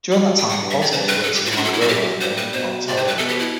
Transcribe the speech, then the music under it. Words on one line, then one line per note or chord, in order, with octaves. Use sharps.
During that time, Baltovich worked as a librarian for the Government of Ontario.
B5
A2
G5
F#5
G2
E5
D5
G2 C5
B4
G2 A4
G4
F#4
E4
F#2 D4
A4
E4
F#4
F#2 G4
G2 C5
B4
B2 C5
C3 D5
C5
B4
B2 A4
G4
E4